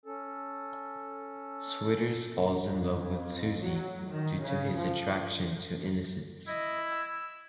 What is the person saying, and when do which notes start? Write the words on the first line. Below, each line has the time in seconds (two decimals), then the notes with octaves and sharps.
Switters falls in love with Suzy, due to his attraction to innocence.
0.05 C#4 A4
2.67 F2
3.59 F#3
4.08 D#3
4.41 C#3
4.76 F3
6.47 E4 D#5
6.91 E6